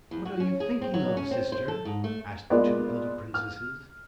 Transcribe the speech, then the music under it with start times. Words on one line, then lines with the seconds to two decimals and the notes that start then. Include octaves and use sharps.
"What are you thinking of, sister?" asked the two elder princesses.
0.11 E2
0.25 F#4
0.40 C#4
0.60 G#4
0.81 C4
0.94 F#3
1.17 C#4
1.31 C4
1.52 C5
1.68 A4
1.85 G#2
2.04 A3
2.50 G#3 A#3 B3 F4 D5
3.34 F6